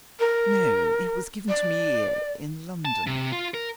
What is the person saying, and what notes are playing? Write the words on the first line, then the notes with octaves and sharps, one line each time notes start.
"No, it was given to me in London."
A#4
D5
A5
C3
F4
A#4